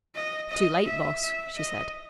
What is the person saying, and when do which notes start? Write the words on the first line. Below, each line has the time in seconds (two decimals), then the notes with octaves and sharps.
"Too late, Boss," she said.
0.15 D#5
0.50 D#5
0.85 E5
1.22 E5
1.57 D#5